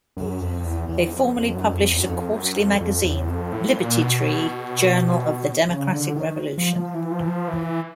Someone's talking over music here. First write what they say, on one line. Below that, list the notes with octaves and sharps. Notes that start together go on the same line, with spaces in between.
They formerly published a quarterly magazine, Liberty Tree: Journal of the Democratic Revolution.
F#2
F2
E2
E2
F2
F2
F#2
F2
E2
F#2
F2
F#2
F2
F2
E2
F2
A2
A#2
B2
C#3
D3
D#3
F3
F3
E3
F3
E3
F3
E3